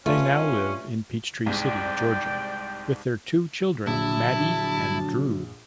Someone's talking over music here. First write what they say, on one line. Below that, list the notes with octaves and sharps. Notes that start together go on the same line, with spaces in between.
They now live in Peachtree City, Georgia, with their two children, Maddie and Drew.
G2 A3 C#4 F4
C2 G#2 D5 G5
A#1 D3 F#3 E4 A5